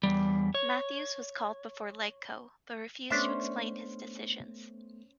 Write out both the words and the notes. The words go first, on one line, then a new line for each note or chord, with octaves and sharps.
Matthews was called before LegCo but refused to explain his decisions.
E2 G3
C#5
A3 B3 C#4 D4 C5 E5